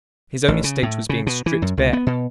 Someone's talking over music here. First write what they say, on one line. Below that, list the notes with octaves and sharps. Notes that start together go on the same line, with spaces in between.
His own estate was being stripped bare.
A1
C#3
A2
C#3
B2
E3
F#2
C#2
B3
B2